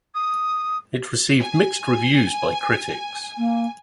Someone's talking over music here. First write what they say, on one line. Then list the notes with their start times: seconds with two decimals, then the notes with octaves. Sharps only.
It received mixed reviews by critics.
0.14 D#6
1.40 G#5
3.38 A#3